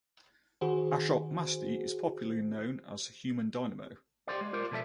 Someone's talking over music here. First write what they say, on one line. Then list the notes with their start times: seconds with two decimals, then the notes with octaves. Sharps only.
Ashok Masti is popularly known as Human Dynamo.
0.61 D#3 F#4 G#4 C5
4.27 G4 A4 C5 D5
4.41 G#3
4.53 F4 A#4 C5 D5
4.71 B2 F3 A4 D5 E5